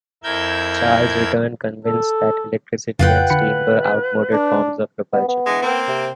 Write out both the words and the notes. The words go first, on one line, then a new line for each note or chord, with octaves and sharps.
Charles returned convinced that electricity and steam were outmoded forms of propulsion.
F2 E4 A#4 E6 G6 G#6
A4
F2 C#3 F4 B4 F#5 G5
D3 B5 C#7
D4
B3
B3
D3 E3 G#3
A#3 C4
C3